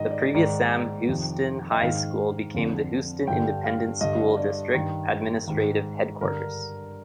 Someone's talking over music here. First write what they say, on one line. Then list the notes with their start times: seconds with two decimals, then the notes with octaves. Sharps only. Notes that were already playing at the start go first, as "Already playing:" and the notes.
The previous Sam Houston High School became the Houston Independent School District administrative headquarters.
Already playing: G#2 D#3 D#5
0.11 D5
0.34 G#2 D#3 D5
1.08 F2 C3 D#3
1.71 D#5
1.81 G#2 D#3 F5
2.54 F2 D3
3.28 G2 D3 G5
3.64 F5
4.01 G2 D3 D#5
4.37 D5
4.74 G2 D#3
5.47 G#2 D#3
6.21 G2 D3 A#4